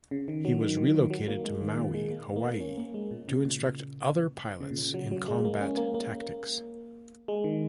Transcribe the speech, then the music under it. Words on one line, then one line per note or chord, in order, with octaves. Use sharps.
He was relocated to Maui, Hawaii, to instruct other pilots in combat tactics.
C#3
D#3
F#3
D#3
D#3
D#3
F#3
A#3
G#3
D#3
A#2
G#3
A#3
A#3
C#4
A#3
G#3
A#2
C#3
A#2
C#3
A#2
C#3
F#3
F#3
G#3
A#3
C#4
A#3
A#3
G#3
D#3